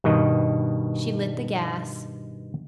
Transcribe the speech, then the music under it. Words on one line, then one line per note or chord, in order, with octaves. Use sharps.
She lit the gas.
G2 B2 D#3 D#5